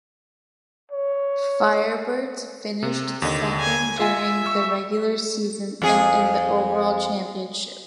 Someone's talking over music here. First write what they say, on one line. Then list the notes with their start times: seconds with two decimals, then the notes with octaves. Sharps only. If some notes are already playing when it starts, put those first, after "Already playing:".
Firebirds finished second during the regular season and in the overall championship.
0.92 C#5
2.83 C3
3.22 D#2 D3 D#5
3.60 G#5
4.00 F4 E5 G#5
4.46 C#6 E6
5.82 F2 G#4